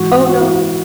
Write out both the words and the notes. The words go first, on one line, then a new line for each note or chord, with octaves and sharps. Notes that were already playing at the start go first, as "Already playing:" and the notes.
Oh, no.
Already playing: G#2 E3 F#4
F#4
F#4
E4
F#4